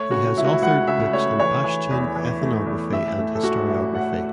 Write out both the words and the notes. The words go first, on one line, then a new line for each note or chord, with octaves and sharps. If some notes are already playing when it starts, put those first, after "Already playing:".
He has authored books on Pashtun ethnography and historiography.
Already playing: A3 C#5
C#3 F#4
C#2 E4
F#4
E4
C#2 F#5
C#3 E5
A3 C#5
E3 C#5
E3
E2
E3
A3
E2
A2 E5
A3
A4
A2 F#4
A1 E4
A3 F#5